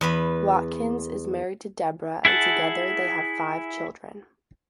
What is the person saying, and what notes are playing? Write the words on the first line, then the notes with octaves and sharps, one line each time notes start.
Watkins is married to Deborah and together they have five children.
E2 B4 B5
E4 G#4 F#5 A5